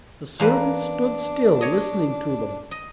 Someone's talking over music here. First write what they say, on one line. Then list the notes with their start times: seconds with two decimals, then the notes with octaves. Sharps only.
The servant stood still listening to them.
0.40 E2 A#3 D4 B4
1.61 C#5 D#5
2.71 D#5